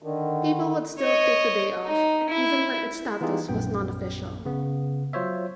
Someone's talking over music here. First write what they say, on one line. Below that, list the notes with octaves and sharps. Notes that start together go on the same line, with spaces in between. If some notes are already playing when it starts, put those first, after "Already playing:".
People would still take the day off even when its status was non-official.
D3 D#3
C#5 D#5
D#4
E4
E3 B3 D#4 F4 G4 G#4
A#1 F#2 B3 G5
C#3 B3
F#3 F4 C5 C#5 E5